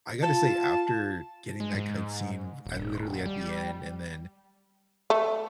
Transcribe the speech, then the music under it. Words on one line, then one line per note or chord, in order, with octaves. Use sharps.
I gotta say, after getting that cutscene, I literally at the end, and then
F4 A5
G#3
G#2
D#1
G3
A3